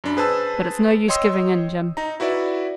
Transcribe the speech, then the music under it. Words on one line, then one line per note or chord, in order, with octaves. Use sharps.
But it's no use giving in, Jim.
F#2 D4 B5
G#4 B4 C5 A5 E6
C#5 D#5 G5 C6 D#6 E6
D#4 A#5
E4 F#4 B4 D5 E5